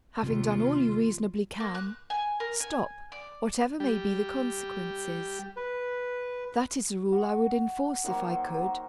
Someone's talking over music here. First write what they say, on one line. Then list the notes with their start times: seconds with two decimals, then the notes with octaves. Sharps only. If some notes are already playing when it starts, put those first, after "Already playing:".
Having done all you reasonably can, stop, whatever may be the consequences. That is a rule I would enforce if I could.
0.23 D#2 C3 F4
1.60 A#3
1.75 F#6
2.10 G#5
2.40 A#4
2.60 G#5
3.12 D5
3.80 G3 G4
5.57 B4
7.12 F#4 C#6
8.04 D#3 F#3 A#3 C5